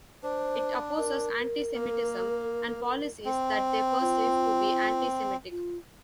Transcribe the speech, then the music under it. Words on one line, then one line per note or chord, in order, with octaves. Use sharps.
It opposes antisemitism and policies that they perceive to be antisemitic.
D4 C5
A#4
A#3
C4
F4
F4